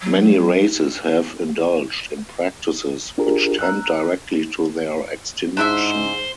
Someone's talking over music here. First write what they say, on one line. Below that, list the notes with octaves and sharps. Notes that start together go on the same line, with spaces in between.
Many races have indulged in practices which tend directly to their extinction.
F#3
D4 F4 G4 G#4 A#4
A#5 E6 F#6
G#2 D4 E4 C5 E5